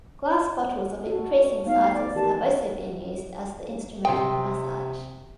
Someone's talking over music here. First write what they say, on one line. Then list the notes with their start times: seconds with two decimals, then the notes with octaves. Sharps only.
Glass bottles of increasing sizes have also been used as the instrument of massage.
1.07 F#4 A4
1.67 A3 B3 D#4 F5
1.94 D5
2.15 E3 G4 A#4 A5
4.05 C3 G5 C6 D#6